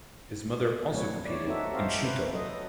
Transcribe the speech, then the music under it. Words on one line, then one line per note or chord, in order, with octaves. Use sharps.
His mother also competed in Shooto.
F#3 A3 C4 B4 C#5
C#5 D5
C4 D#4 F#4 A4 E5
G4 C5 F5
B4
F#3 A4 D#5